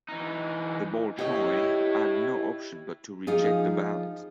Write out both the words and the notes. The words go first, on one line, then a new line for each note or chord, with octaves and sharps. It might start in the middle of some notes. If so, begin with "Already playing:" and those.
The Bolshoi had no option but to reject the ballet.
E3 D#4
E4 G4 C#5 D#5
F3 D#4 F4 G#4